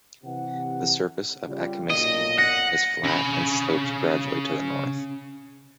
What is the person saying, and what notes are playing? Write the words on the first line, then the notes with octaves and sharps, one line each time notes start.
The surface of Akimiski is flat and slopes gradually to the north.
C3 E3 F#5
C#3 G3 F4
B1 A#2 D#5
F#5 A#6
C#3 B5